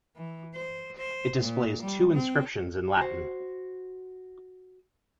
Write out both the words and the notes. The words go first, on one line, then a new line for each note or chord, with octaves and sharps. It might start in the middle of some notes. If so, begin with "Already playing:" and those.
It displays two inscriptions in Latin.
E3
C5
C5
A#2
G3
C4
F#4 C5